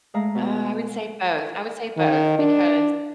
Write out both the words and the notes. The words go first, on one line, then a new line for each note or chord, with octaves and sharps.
I would say both I would say both, because,
G#3 A3 F5 A#5
B2
D#3
D4